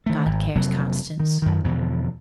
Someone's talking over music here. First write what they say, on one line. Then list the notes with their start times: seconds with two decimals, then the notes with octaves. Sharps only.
"God cares, Constance."
0.06 D#3 A3
0.26 G#1
0.55 F1 C3 F#3 A#3
1.20 D#3
1.42 F#2 D#3
1.64 E2 B2 D3 F3